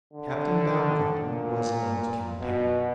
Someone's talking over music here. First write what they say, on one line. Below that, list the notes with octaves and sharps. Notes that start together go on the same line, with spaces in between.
Captain Baumgarten was an old campaigner.
D3
A#2
B2